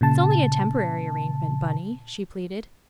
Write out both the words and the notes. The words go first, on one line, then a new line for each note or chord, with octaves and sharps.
"It's only a temporary arrangement, Bunny," she pleaded.
A#2 C#3 A5